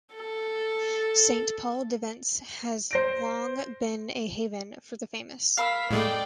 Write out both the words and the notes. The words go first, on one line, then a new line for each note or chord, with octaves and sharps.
Saint-Paul-de-Vence has long been a haven of the famous.
A4
C5 A#6 D7
A#4 F5 B5 E6 B6
A2 G#3 A3 D5 G5